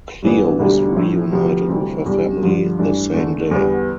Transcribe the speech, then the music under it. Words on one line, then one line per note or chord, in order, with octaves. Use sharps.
Cleo was reunited with her family the same day.
G2 E3 B3
E1 D2 D3 G3 D4
A2 F3 A3 E4
D2 C3 F3 B3
D2 C3 E3 G3 C4
E2 C3 G3 D4
G2 D3 F3
G2 E3 A3 D4
E2 D3 A3 D4
E2 D3 G3 B3